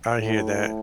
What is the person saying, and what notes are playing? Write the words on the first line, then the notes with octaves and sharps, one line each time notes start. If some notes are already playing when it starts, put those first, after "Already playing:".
I hear that.
A2